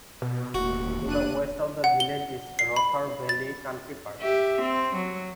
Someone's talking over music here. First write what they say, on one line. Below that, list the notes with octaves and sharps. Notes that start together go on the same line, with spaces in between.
To the west of the village is Rother Valley Country Park.
B2
E1 D#2 A2 F#4
F1 D4 F#6 D#7
F#5
G7
C7
B5
A6
G4 E5
C4
F#3